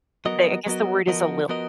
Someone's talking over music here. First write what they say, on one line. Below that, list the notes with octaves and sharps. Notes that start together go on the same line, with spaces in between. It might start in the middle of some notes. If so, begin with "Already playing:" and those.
They I guess the word is a lilt.
F#3 B3 F#4 A#4 D#5
F#3 B3 F#4 A#4 D#5
F3 B3 F#4 A#4 D#5
F3 B3 F#4 A#4 D#5